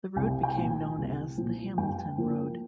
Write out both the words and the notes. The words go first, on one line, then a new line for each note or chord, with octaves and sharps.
The road became known as the Hamilton Road.
C2 G5
G5
A#2 F3
G#5
C2
A#2 F3
G2 G5
F3 A#3